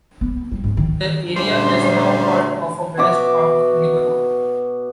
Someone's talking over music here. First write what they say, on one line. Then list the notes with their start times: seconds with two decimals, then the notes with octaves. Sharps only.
The area is now part of a West Park neighborhood.
0.21 B3
0.51 G3
0.64 G#2
0.77 D#3
1.36 D2 A#2 G3 C#4 C5
2.97 B2 F#4 E5 D6